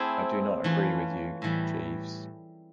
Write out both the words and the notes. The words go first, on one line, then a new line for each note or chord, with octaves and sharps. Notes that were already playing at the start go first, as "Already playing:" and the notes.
I do not agree with you, Jeeves.
Already playing: A3 C4 E4 G#4
E3 A3 C#4 F4
A2 E3 G3